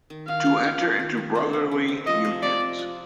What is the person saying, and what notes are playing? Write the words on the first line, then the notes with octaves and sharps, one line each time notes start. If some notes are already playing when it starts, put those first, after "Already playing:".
To enter into brotherly unions.
D#3
D#3 F5
F4
A#3
D#3
D#3
A#3
C3
C4
C4
C4
F3 D#5
C3
C3 D5
C3
F4